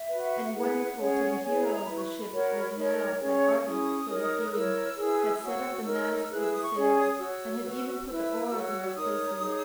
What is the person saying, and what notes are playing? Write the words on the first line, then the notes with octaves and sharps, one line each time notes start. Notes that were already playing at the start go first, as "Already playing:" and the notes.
And wonderful to the heroes the ship looked now that Argus, for their viewing, had set up the mast with the sails and had even put the oars in their places.
Already playing: E5
F#4 B4
E4 G#4 B4 F#5
C#4 G#4 C#5
E4 G#4 C#5 G#5
A#5
E4 B4 B5
C#6
B5
F#4 A#4 C#5
D#4 A#4 C#5
C#4 G#4 C#5
C#4 E4 G#4 D#6
D#4 A#4 C#5
F#6
E4 A#4 C#5 E6
E4 G#4 B4
F#4 C#5 E6
D#4 A#4 C#5
E4 G#4 B4 F#6
E6
D#6
C#6
C#4 G#4 C#5
D#6
D#6
F#4 C#5 E6
F#4 B4
E4 B4 E6
F#4 C#5
E6
D#4 A#4 C#5 D#6
D#4 G#4 C#5